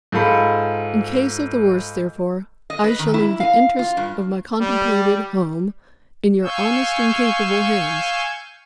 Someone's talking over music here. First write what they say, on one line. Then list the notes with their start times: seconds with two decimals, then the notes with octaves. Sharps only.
In case of the worst, therefore, I shall leave the interests of my contemplated Home in your honest and capable hands.
0.12 G#2 F4 A4 B5
2.70 D#5
2.84 B4
2.99 D#3
3.14 E4
3.40 F5
3.79 F4
3.97 G2
4.61 G3
6.42 F5 G#5 C#6 E6 G6